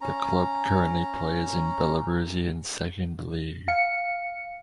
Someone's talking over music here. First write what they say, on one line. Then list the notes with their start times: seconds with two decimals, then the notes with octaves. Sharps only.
The club currently plays in Belarusian Second League.
0.01 C#4 A#5
3.68 F5 C#7